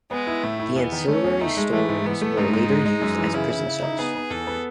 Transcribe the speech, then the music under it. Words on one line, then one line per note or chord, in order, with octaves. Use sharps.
The ancillary storerooms were later used as prison cells.
G#3 B3
E4
A2 A3
E4
E2 B3
D#3
A3 C#4
E2
A3 D#4
G#3
E3 A3
G#2
E3 B3
A3
G#2 D#4
G#2
G#3
G#3
F#2
E3
C#3 E4
C#3
C#3
D#4
B3 G#4
B3
E2 A4
B3